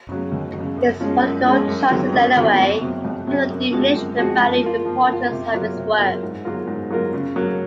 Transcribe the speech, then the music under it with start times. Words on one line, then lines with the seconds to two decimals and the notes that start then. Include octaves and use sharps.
His political choices, anyway, have not diminished the value and importance of his work.
0.09 C#3 F#3
0.32 D#2
0.53 F#3
0.59 C#3
0.77 F#2
1.00 F3 G#3 C#4 F4
1.22 F#2
1.45 F3 G#3 C#4 F4
1.68 F#2
1.90 D#3 F#3 C4 F4
2.13 F#2
2.36 D#3 F#3 C4 F4
2.58 F2
2.81 C3 F#3 C4
3.05 F2
3.27 C3 F#3 C4
3.50 F#2
3.72 F3 G#3 C4 F#4
3.96 F#2
4.18 F3 G#3 C4 F#4
4.40 F3
4.63 A#3 F4
4.85 F3
5.08 A#3 F4
5.31 C3
5.54 F#3 A#3 F4 A#4
5.77 C3
5.99 F#3 A#3 F4 A#4
6.23 G#2
6.45 F#3 A#3 F4 A#4
6.67 G#2
6.90 F#3 A#3 F4 A#4
7.13 C#3
7.36 F#3 A#3